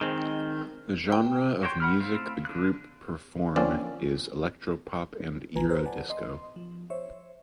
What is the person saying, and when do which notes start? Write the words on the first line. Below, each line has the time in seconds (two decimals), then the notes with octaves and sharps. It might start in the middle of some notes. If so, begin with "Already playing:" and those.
The genre of music the group perform is electropop and eurodisco.
0.01 D#3 G#3 C4
1.12 G5
1.63 F#4 G4 C#5 G5 C6
1.80 F#5 B5 F6
2.00 A3 C4 E4 F5
2.45 D3 F#6
3.56 D3 F3 A#3 C4 C#4 D5
5.55 A#1 E3 F4 B4 G#5 A#5
5.69 B4 C5 A#5
5.85 B4 D5 F#5 G#5 A5
6.10 D#5 C6
6.56 F3
6.90 C5 C#5 E5